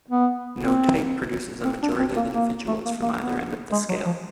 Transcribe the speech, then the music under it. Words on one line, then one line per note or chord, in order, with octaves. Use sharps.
No type produces a majority of individuals from either end of the scale.
B3
C4
C4
D4
C4
A#3
A#3
A3
A#3
A#3
B3
G#3
F#3
F3